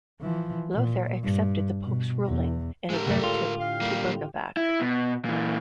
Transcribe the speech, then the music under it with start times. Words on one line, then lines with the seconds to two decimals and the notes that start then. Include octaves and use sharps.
Lothair accepted the pope's ruling and again took Teutberga back.
0.21 E3 F3
0.73 A#2
1.23 G2
1.84 B2
2.25 E2
2.90 A2 D3 G#3 G4 A#4
3.06 C2 F#2 A3 A4
3.24 F4
3.60 F5
3.81 G3 A#3
4.57 E4
4.81 B2
5.25 A#2 E3